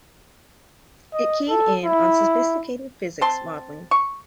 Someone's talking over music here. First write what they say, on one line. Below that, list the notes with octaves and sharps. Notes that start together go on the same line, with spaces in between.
It keyed in on sophisticated physics modeling.
D#5
A4
E4
C4 A5 C6
C#6